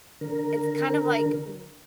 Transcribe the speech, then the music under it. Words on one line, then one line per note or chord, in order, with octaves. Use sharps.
it's kind of like, m
D3 A#4